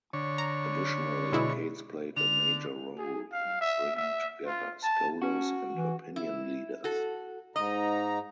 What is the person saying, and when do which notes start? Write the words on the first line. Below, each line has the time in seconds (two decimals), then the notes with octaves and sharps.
Additionally, Kates played a major role in bringing together scholars and opinion leaders.
0.13 D3 C#5
0.38 A#5
1.32 B2 G#3 E4
2.17 D3 F7
2.98 G#4
3.32 F5
3.61 E5
3.96 E5
4.46 F4
4.83 A5
5.22 C#4 F#4
5.74 E3
6.16 E4
6.84 F#4 A4
7.56 G#2 D#4 D#5 A#5